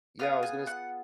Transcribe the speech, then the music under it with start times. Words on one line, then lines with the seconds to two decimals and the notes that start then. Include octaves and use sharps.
Yeah. I was gonna s
0.19 B3 F4 G#4 F6
0.43 G#5
0.67 F#5